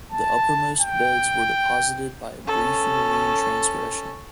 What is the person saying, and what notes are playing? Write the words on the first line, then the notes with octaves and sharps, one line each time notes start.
The uppermost beds were deposited by a brief marine transgression.
A5
G5
C#4 A4